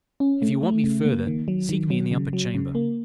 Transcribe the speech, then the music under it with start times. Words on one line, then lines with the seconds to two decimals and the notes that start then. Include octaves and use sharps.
"If you want me further, seek me in the upper chamber."
0.20 C#4
0.42 A3
0.63 A3
0.84 C#3
1.05 A#3
1.27 D#3
1.48 F#3
1.69 D#3
1.90 F#3
2.11 C#3
2.33 F#3
2.55 C#3
2.75 A#3